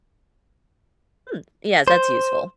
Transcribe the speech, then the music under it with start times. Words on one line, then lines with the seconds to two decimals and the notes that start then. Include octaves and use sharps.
Hmm. Yes. That's useful.
1.88 C5